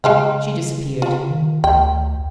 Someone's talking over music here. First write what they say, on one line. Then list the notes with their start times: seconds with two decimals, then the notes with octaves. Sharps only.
She disappeared.
0.04 C#3 G#3 F5 G5
1.02 F4
1.31 D#3
1.64 D2 G5